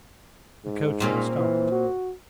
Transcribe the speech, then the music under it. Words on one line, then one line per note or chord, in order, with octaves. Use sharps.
The coachman stopped.
G#2
A#2 C4 C#4
E3
F#4